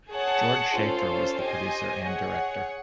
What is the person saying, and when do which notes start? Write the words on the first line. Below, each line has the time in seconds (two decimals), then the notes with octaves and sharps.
George Schaefer was the producer and director.
0.11 G#4 C#5 F#5 A5
0.75 C#4 F4 A4 C5
1.39 G4 C5 D#5 G#5
2.03 G#4 C#5 F#5